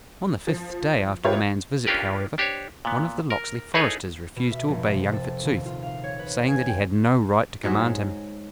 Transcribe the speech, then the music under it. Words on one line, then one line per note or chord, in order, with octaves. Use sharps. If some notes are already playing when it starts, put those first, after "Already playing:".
On the fifth day after the man's visit, however, one of the Locksley foresters refused to obey young Fitzooth, saying that he had no right to command him.
F3
F4 G4 A#4 B4 C#5 E5
C#4 D4 F4 G4 A#4 B4
D4 G4 C5 C#5
A#2 B3
A#4
D#4 E4 G#4 A4 B4 C#5
B2
E5
F1
C3
A4
D#1
F4
F5
C#5
B4
G#5
G5
G#2 F#3 G#4 E5